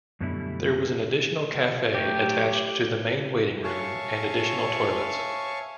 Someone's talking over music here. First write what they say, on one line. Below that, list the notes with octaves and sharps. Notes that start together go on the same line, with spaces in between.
There was an additional cafe attached to the main waiting room and additional toilets.
F#2 B2 D3 G3 A3 E4
F#3 A3 G4
C#5 E5 F5 G#5 A5 C#6